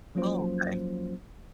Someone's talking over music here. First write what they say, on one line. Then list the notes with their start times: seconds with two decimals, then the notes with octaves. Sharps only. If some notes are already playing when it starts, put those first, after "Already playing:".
Oh, okay.
0.15 F3 F#3 A#3 C#4 F4 C5